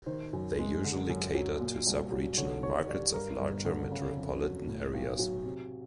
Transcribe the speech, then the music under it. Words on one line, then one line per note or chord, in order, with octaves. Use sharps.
They usually cater to sub-regional markets of larger metropolitan areas.
D#3 C5
F#2
G#3
D3
F#2
F#3
A#2
C2
F#3
D3 C#5
D#2 C#5
G3 D5
G2 A#4
G1
D3
C#3
F2
F#3
A2
B1
F#3
C3